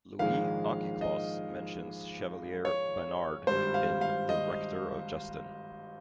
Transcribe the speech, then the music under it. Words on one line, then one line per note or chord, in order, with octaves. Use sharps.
Louis Auchicloss mentions Chevalier Baynard in "The Rector of Justin".
A#1 G#2 D#3 G#3 F5
D#5
C#5
G#1 G2 G3 C5
F5
F5
D#5